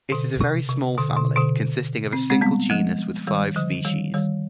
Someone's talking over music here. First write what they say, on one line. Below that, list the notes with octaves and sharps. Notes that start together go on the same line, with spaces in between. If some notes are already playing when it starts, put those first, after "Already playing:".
It is a very small family, consisting of a single genus with five species.
B2 D3
C3
C3
B2 D3
B2 D3
B2 D3
C4
G#3 C4
G3 B3
F3 G#3
D#3 G3
D3 F3
D#3 G3
D#3 G3